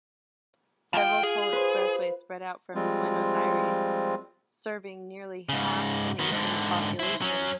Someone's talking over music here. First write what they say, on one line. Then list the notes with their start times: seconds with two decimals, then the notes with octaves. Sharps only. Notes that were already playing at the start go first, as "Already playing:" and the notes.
Several toll expressways spread out from Buenos Aires, serving nearly half the nation's population.
0.93 D#2 F4 G5
1.23 G#4
1.53 B4 C5
2.75 F3 G3 G#3 C4 F4
5.49 G#2 C#3
6.19 D#3 B3
6.32 G#2 D3
7.00 E4 C5
7.22 F#3 C#4